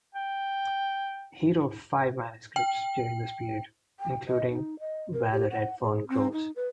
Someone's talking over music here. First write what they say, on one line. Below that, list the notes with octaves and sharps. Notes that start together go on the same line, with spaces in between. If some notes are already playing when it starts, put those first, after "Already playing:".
He wrote five manuscripts during this period, including "Where the Red Fern Grows".
G5
G5
G5
D#5
D#4
D#5
A#4
G4
F#5
G#4
C4
D#4
B4